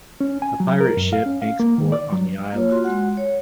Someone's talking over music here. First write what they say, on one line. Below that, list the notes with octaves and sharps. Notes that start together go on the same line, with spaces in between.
A pirate ship makes port on the island.
C#4
G#5
F#3
A#4
F#2
F5
C#4
F5
A#3
D#3
D5
F#3
A#3 F4 C#5
F4 F#4 C6
G#3 F#4 F#5
C#5